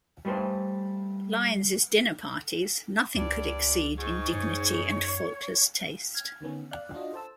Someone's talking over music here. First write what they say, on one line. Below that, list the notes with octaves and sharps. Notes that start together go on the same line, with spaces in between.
Lyons's dinner parties 'nothing could exceed' in 'dignity and faultless taste'.
G3 A3 B4 C5
C#2 G2 D5
G#2 C#6
F#2 C#5
F6 G#6
D3 D#3 B3 C#4
D5 F5 F#6
D4 F4 F#4 D#5
A4 C5 A5 E6